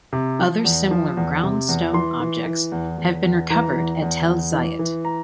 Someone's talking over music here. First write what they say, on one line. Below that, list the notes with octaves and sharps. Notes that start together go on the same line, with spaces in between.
Other similar ground stone objects have been recovered at Tel Zayit.
C3
F3
E2
F3
E2
C3
E2
E3 C6
E3
E3
E2
E2
E2
E3 A#5
E2
E2
E2
E3
E3
A#5